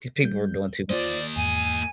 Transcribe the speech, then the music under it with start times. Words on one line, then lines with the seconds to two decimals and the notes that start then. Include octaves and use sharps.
These people are doing too much.
0.24 G3 G6
0.90 A#3 F4 C5 D5 D#5
1.36 E2 G#2 G#5